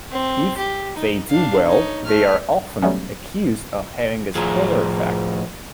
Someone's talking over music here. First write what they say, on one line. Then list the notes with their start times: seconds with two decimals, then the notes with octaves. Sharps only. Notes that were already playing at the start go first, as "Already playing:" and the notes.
If they do well, they are often accused of having a spoiler effect.
0.11 C4
0.58 G4
0.97 D#4
1.29 D4 F5
1.66 D#4 C#5
2.06 A3 F6
2.82 F#3 G3 A3 B3 C#4
4.35 A2 F3 F4 G#4